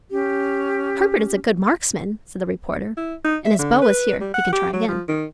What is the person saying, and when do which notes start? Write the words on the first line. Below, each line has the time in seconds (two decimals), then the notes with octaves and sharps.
"Herbert is a good marksman," said the reporter, "and his bow is here. He can try again."
0.10 C#4 G4
2.97 E4
3.25 D#4
3.45 E5
3.59 D3
3.82 B4
4.21 G3
4.34 F#5
4.53 G4
4.73 F#3
4.88 F3
5.08 D#3